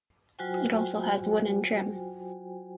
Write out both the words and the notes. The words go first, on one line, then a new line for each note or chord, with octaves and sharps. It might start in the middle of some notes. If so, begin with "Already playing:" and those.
It also has wooden trim.
F#3 F4 F#4 C5 G5 G#5